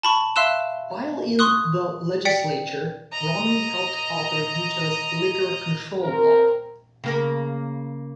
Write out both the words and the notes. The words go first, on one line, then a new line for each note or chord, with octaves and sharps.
While in the legislature, Romney helped author Utah's liquor control law.
A5 B5 C#6
E5 F5 C6 E6 F#6 E7
C6 C#6 D#6 F#6
D5 G5 B6 C#7
D#5 A#5
C4 A#4
C#3 A#3 A#4